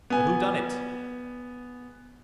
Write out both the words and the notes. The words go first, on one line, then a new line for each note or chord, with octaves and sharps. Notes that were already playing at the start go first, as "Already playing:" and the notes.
But who done it?
B3 G#5